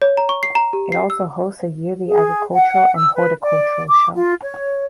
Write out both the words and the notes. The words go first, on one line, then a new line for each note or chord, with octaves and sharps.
It also hosts a yearly agricultural and horticultural show.
C#5
A#5
C#6
C7
A#5
G4
C7
E6
G#4
F#5
E6
B4
D5
D6
F4
C#5